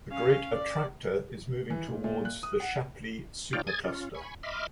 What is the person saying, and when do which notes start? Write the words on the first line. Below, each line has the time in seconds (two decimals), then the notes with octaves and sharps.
The Great Attractor is moving towards the Shapley Supercluster.
0.11 C#4 F5
0.53 D5
1.70 E3
1.88 A#2
2.04 A#2
2.25 F#6
2.43 D#6
2.60 F#5
3.53 D#4 F4 C#5 D5 F5 G5
3.67 G#5 D#6 G#6 A6
3.84 C#4 F4
4.14 G#5 B5 C#6
4.43 D#5 E5 B5 C6 D6 F6